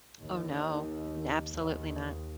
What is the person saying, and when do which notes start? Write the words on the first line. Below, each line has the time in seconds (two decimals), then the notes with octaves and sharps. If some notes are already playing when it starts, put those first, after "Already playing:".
Oh, no, n absolutely not.
0.19 D#2
1.54 D#2